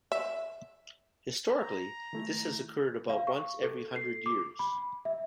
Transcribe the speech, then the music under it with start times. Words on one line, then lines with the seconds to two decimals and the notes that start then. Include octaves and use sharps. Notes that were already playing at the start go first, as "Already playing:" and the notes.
Historically this has occurred about once every hundred years.
0.12 E5
1.60 A#5
2.13 D#3 A3 E4
3.10 F5
3.27 C#6
3.63 A4
3.96 C7
4.26 D6
4.59 B5
5.05 E5